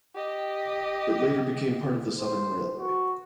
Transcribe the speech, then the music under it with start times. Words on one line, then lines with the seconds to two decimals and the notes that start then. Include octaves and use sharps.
It later became part of the Southern Railway.
0.15 G4 D#5
2.19 C5
2.79 F#4